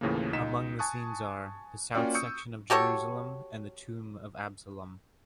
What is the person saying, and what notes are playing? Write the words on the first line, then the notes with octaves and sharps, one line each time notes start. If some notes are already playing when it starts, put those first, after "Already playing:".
Among the scenes are: The South section of Jerusalem and the Tomb of Absalom.
D#2 A2 C#3 E3 F3 A#3
C#2 D#4 D#5 B6 E7
G#5 A5 C#6 D#6 F#6
A#3 C#4 F4 F#4 D5 G5
C#6 D#6 E6 G6 C#7
F#4 G4 A4 C#5